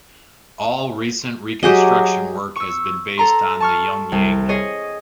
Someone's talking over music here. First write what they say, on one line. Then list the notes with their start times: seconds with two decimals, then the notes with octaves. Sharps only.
All recent reconstruction work has been based on the "Yunjing".
1.63 F#3 G4 G#4 D#5
2.56 C#6 E6
3.18 A4 A#5 C6
3.60 A5 C#6 F6
4.12 C2
4.49 G#4 C#5 D#5